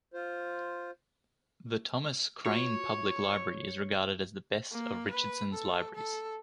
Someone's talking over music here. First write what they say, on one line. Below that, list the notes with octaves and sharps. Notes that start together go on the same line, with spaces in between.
The Thomas Crane Public Library is regarded as the best of Richardson's libraries.
F4 C5
F4 F#4 C#5
A#3
B4
A4
A4